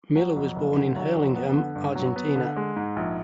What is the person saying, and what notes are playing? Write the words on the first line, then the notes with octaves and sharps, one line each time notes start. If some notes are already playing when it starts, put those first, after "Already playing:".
Miller was born in Hurlingham, Argentina.
F#3
F2
F#1
D3
F#3
F2
B3
D3
G2
F#3
B3
D3
G#3
G#2
A#1